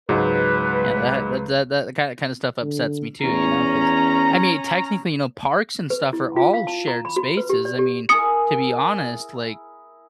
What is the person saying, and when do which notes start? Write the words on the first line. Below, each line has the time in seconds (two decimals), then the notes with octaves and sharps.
Yeah, that that that that ki kinda stuff upsets me too, you know, 'cause I mean, technically, you know, parks and stuff are all shared spaces, I mean, to be honest, like,
0.09 C#2 G#2 F#3 G#3 B4
2.62 D3
3.23 E2 C#4 A#5
5.90 B4
6.13 E4
6.36 F4
6.53 F5
6.67 A5
6.88 A#5
7.05 B5
7.16 F#4
7.37 B4
7.49 G4
7.65 D5
7.79 G4
8.09 E4 G#4 A#4 D#6 C#7